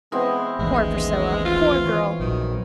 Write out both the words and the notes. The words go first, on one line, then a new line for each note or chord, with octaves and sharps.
Poor Priscilla!--poor girl!
E3 G#3 B3 C4
A1 D#2 G#3
F4
E3 C#5
A#1 D#3 F#3